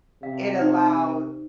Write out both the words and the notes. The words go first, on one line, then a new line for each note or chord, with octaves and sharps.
it allowed
C3 F5
D#4 C5 D5